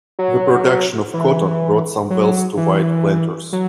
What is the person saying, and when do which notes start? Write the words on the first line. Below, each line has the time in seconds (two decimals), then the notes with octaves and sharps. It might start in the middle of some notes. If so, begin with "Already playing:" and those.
The production of cotton brought some wealth to white planters.
0.19 F#3
1.14 E3
2.10 F#3
2.57 E3
3.53 F#3